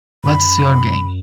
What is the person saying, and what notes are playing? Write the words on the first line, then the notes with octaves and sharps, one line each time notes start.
What’s your game?
F#2 B5